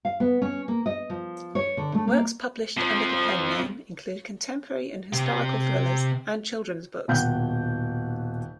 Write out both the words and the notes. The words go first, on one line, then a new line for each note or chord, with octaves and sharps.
Works published under the pen name include contemporary and historical thrillers, and children's books.
F5
B3
C#4
A#3
D#5
F3
C#5
D3
A3
A#3
F2 F3
C3 G4
D#1 B2 F#5 G5 G6